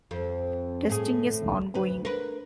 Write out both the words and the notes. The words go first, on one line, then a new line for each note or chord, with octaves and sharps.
Testing is ongoing.
F2
A2 G#4
D2 B4
A#4 B4